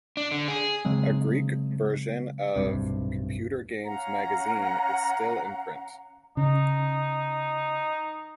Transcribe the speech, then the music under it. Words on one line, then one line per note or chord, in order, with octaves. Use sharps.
A Greek version of "Computer Games Magazine" is still in print.
D4
D3
G#4
C#3 F#3 G#3 C4
D1 B1 G2 C3
C#4 F5 F#5 A#5
C#3 D#4